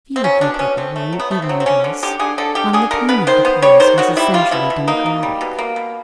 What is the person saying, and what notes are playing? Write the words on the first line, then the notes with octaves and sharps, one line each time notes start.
Few of the people were in evening dress, and the tone of the place was essentially democratic.
C4
F#3 C#4
B2 D4
D4
B2 C#4
A3 C4
A3
F#3
B3
A3
C4
F#3
C4
D3 C#4
D3
D3 G4
D3 G#4
D3 A4
G3 G4
D3 G#4
D3 A#4
B3 B4
D#3 C5
B3 C5
G3 C#5
D#3 C5
D#3 F#4
G3 E4
G3 F4
B2 E4
B2
A#3 D#4
A#3
G3
B2
A#3
B2